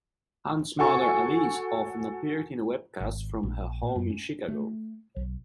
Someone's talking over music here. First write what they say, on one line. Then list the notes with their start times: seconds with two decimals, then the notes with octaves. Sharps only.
Hunt's mother Alice often appeared in webcasts from her home in Chicago.
0.79 F#4 A4 G#5 C#6
3.00 G#1
3.43 A#1
3.83 A#2
3.96 F#2
4.10 C#4
4.48 A3
5.16 B1